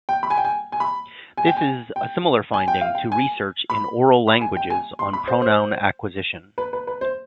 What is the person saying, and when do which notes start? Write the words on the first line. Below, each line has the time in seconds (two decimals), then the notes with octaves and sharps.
This is a similar finding to research in oral languages on pronoun acquisition.
0.09 G5
0.23 B5
0.30 G#5
0.37 G5
0.45 G#5
0.72 G#5
0.80 B5
1.37 G#5
1.47 G5
1.57 G#5
1.96 G5
2.54 G#5
2.68 G5
2.81 F5
2.95 G5
3.12 G#5
3.70 B5
4.27 B5
4.41 G#5
4.56 G5
4.70 G#5
4.99 C6
5.13 B5
5.28 C5
5.42 C5
6.58 B4
6.73 B4
6.87 B4
7.01 C5